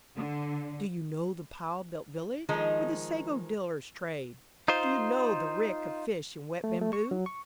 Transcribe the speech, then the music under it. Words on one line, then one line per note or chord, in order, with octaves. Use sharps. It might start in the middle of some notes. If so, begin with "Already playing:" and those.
Do you know the pile-built village, where the sago-dealers trade-- Do you know the reek of fish and wet bamboo?
D3
D#3 F3 G#3 D#4
D#4 F4 C5
A3
A3
C#6
F#3
C#6